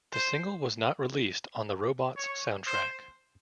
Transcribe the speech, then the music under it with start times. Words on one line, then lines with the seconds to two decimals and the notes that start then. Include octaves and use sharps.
The single was not released on the "Robots" soundtrack.
0.13 C5
2.17 C#5
2.67 C5